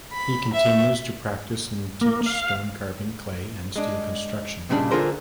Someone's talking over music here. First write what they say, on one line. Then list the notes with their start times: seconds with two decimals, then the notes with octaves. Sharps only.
He continues to practice and teach stone carving, clay, and steel construction.
0.13 B5
0.53 E5
2.01 A#3
2.26 F5
3.76 G#3 D4
4.69 D#2 A#2 C#3 G3 D4
4.91 D3 F4 G#4 A#4 C5